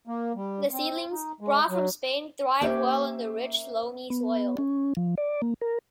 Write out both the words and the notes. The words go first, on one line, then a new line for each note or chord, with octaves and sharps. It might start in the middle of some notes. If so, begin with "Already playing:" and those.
The seedlings, brought from Spain, thrived well in the rich, loamy soil.
A#3
G3
C4
D#4
G#3
F#3
A#3 C#4 G4 C5 E5
B3
C#4
F3
D5
A#3
A#4